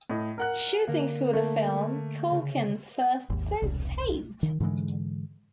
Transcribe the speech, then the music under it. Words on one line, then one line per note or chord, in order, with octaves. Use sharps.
Shooting for the film, Culkin's first since Saved!
A2 D#5
A#4 F#5 F#6
D3 A#3 A#4
A3 A#3
C#3
G#1 D#2
E1 C2
D#3
G#2 D3 E3 G#3